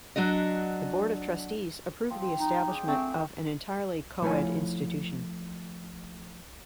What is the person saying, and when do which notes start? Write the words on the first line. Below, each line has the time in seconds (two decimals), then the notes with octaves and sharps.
The Board of Trustees approved the establishment of an entirely co-ed institution.
0.16 F#3 D4 F#4 D#5
2.10 F3 C4
2.39 D#4
2.68 D4 G#4 G5
2.88 A3 C4
4.22 F3 A3 E4 F4 C#5 G#5